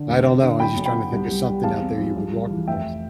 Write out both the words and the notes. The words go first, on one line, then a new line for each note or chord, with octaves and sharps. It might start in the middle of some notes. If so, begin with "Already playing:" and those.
I don't know, I was just trying to think of something out there you would walk across.
Already playing: D3
F1
F1
D3
B1 G5 B5
B1
G5 B5
B3
C2
C2
G3
E2 F5 A5
C4
F3
C2
C2
E3
F1 E5 G5